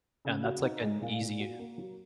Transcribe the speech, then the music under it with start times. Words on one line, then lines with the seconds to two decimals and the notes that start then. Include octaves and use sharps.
And that's like an easy
0.25 C#3
0.44 F#4
0.63 D#4
0.82 G#3
1.01 A#2
1.21 A#2
1.40 F#4
1.59 A#3
1.78 F#3